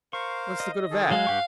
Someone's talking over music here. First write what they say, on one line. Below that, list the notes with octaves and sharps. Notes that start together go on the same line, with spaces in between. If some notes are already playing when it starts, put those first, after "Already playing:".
What is the good of that?
A#4 C5 F5 C#6
D#5
D#3 G#4 A4
F#3 G#3 F5
G2 G4 F#5 G5 C#6